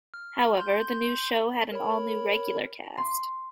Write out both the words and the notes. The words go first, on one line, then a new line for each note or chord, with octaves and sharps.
However, the new show had an all-new regular cast.
F6
C6 G6
A#4 C#5 B5
C6